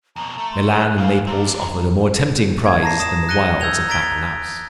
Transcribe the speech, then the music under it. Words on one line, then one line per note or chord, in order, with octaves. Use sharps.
Milan and Naples offered a more tempting prize than the wilds of Baccalaos.
F2 B2 A#5
A3
C6
F#6
G#3 B3 F5
C4 D4 A#5
G#6
A5 A#5 A#6 C7
A#5 D#6 A#6 E7
F#6 A#6 C#7 D#7 G7
E6 G6 G#6 F7 G7
A#5 G#6 A6 B6 D7 G7